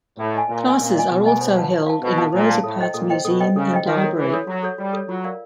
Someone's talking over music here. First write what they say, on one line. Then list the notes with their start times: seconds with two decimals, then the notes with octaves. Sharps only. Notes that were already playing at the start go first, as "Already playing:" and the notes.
Classes are also held in the Rosa Parks Museum and Library.
0.18 A2 B4
0.34 D#5 G#5
0.49 A#2 B4
0.64 D#5 G#5
0.80 A#2 B4
0.95 D#5 G#5
1.10 B2 B4
1.26 D#5 G#5
1.41 C5
1.56 F5 A5
1.72 C5
1.87 F5 A5
2.02 B2 C5
2.18 F5 A5
2.33 A#2 C5
2.48 F5 A5
2.64 A2 A4
2.79 C5 D#5 G5
2.94 A#2 A4
3.10 C5 D#5 G5
3.25 B2 A4
3.40 C5 D#5 G5
3.55 C#3 A4
3.71 C5 D#5 G5
3.86 D#3 F#4
4.02 A4 C#5
4.17 E3 F#4
4.33 A4 C#5
4.47 F#3 F#4
4.63 A4 C#5
4.78 G3 F#4
4.93 A4 C#5
5.09 F#3 F4
5.24 A#4 D5 F5